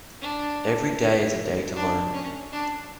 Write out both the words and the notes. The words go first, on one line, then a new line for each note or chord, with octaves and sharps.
Every day is a day to learn.
D4
D4
C#4
D4